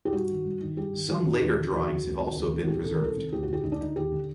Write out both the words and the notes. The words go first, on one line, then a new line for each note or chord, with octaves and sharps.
Some later drawings have also been preserved.
G4
G2 F#4
D#3
G2
D#3
G2 G4
D#3
G2 F#4
D#3
D#4
D#2 F#4
D3
D#2 F#4
D3
D2
C3 D#3
D2
C3 D#3
F#4
C2 G4
C3 D#3 A4
A#4
C2 A4
C3 D#3
D2 G4
F#4
D3 G4
D2 D#4
D4
D3 D#4
D#2 G4
D3